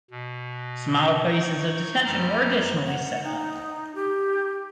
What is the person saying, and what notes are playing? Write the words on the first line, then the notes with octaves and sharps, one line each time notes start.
Smaller places of detention were additionally set up.
B2
D#4 C#6
F#2 G3 A#5 F6
F#5
D#4
G4